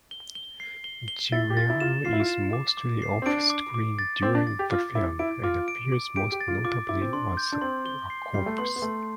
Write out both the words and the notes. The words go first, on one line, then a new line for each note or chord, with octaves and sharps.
Giuliano is mostly off-screen during the film and appears most notably as a corpse.
G7
G7
C7
G7
G7
E4 A6
G4
F4 A6
E4
F4 E7
F4 C7
E4
F4
E7
D6
D6
C7
C4
D4 D7
D6
D6
A6
C4 D6
D4
A6
G4
F4 D6
E4 D6
E4 D7
F4 D6
D7
D6
G4 D7
G4
A6
F4
F4 D6
E4 D6
C4
D4 C6
G6
D4
C4 C6
G7
C7
G3 C7
A3
B3 C6
B3
A3 C6